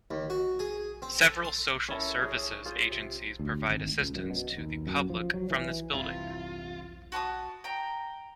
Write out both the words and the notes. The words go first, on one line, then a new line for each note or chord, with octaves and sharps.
Several social services agencies provide assistance to the public from this building.
D#2
F#4
G#4
C4
A4
C6
C#4 E4 A4 A#4
C#4 G#4 A#4
F4 G#4 C5
C3
D2
G#1
C#2
F#2
B2
D#2
F#2
F3
F#3
E3
E2 G2 C3 E4 F4
F#4 A5 B5 D#6
G5 A#5